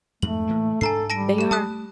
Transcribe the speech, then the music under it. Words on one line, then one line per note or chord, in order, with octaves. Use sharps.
They are.
F2 G#2 A3 F#7
A2 E3 A#3
G#2 D4 A4 G#5 A#5 C7
G3 A5 A#6 D7
G4 E7
A3 A5 D#6 F#6